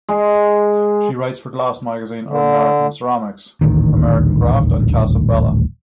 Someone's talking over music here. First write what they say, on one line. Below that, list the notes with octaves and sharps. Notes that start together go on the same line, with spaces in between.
She writes for Glass Magazine, American Ceramics, American Craft and Casabella.
G#3
D3
D#1 A1 D2 D#3